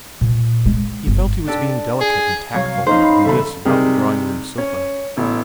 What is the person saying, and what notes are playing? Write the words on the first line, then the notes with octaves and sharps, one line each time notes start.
He felt he was being delicate and tactful in this about the drawing-room sofa.
A#2
G#3
G1
D4 G4 A4
G#4
C2 F#3 C#5 F5
F2 F3 C#4 D#4 C5 F5
B5
E2 C#3 G3 A4 E5 B5
C3 G3 D#4 G4 G#4 A#4
C#4
A1 B2 E4